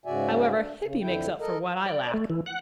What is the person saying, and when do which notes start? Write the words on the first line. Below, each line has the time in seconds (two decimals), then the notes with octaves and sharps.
However, Hippy makes up for what I lack.
0.06 G#2 C#3 F#4 D5 E5 G#5
0.54 D4
0.82 C#3
1.01 F2 D3 E4 G5
1.40 A4 A#4 D#5
1.86 D5
2.14 A3
2.30 E3
2.46 F#5